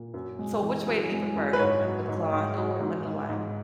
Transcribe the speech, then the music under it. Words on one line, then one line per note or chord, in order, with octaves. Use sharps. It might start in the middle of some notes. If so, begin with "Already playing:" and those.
So, which way do you prefer it? Like, with the clamato or lemon lime?
Already playing: A#2
F#2
G#3
E3
F#2
G#3
F#2
B4
G#2 C#5
F#3
G#2
G#2
F#3
G#2
G#2
G#2